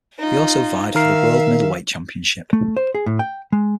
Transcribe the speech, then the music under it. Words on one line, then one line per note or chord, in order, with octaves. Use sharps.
He also vied for the world middleweight championship.
D#4 F4
D#3 A#4 E5 F5 C7
A3
C5
G#4
A2
G5
G#3